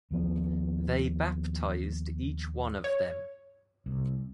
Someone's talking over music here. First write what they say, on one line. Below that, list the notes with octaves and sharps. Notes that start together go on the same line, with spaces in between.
They baptized each one of them.
D#2 F3 B3
C#5
C2